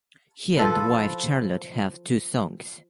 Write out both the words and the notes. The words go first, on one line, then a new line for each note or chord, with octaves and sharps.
He and wife Charlotte have two sons.
F3 A4 B4